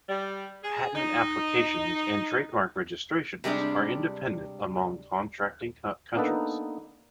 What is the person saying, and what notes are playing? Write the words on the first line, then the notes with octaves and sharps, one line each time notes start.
Patent applications and trademark registrations are independent among contracting countries.
G3
G#4
D#4
C3 G3 G#3 D4
A#3 B3 D4 D#4 A4 B4